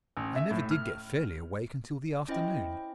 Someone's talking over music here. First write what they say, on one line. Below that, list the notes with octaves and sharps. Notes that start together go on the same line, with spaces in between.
I never did get fairly awake until the afternoon.
A1
E5
A2
F6
C#4 E4 C5 D#5 G5